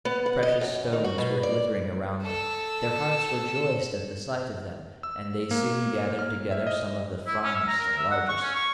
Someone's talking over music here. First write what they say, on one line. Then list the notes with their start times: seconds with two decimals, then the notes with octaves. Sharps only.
The precious stones were glittering around them; their hearts rejoiced at the sight of them, and they soon gathered together some of the finest and largest.
0.05 B3
0.26 F#5
0.43 D#5
0.61 F#2
0.93 D#3
1.04 F#4
1.18 B2
1.43 D5
2.23 A4 E6
5.03 E6
5.51 A#3
6.19 F6
6.51 E5
6.67 D#5
7.27 E4
7.43 C#4
7.55 E5
7.67 A#5
7.80 A#4
7.97 E5
8.11 F#5
8.29 C#6
8.42 C#4
8.55 C#6